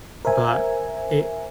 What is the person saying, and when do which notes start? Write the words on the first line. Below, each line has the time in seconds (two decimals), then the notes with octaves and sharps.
But it
0.25 A#4 C5 E5 G#5